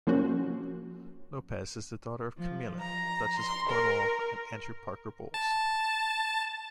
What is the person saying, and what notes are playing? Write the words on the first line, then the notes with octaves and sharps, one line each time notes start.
Lopes is the daughter of Camilla, Duchess of Cornwall, and Andrew Parker Bowles.
F3 A#3 C4 C#4 F#4
F3
A#5
C6
A#4
A5